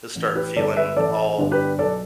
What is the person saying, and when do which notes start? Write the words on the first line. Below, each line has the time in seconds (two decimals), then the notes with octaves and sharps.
You'll start feeling all
0.15 A1
0.35 G4 B4
0.56 G2 D3 B3 D4 A4 D5
0.76 B4 E5
0.96 A1 A4 D5
1.38 G2 D3 B3 D4
1.51 G4 B4
1.78 B1 A4 D5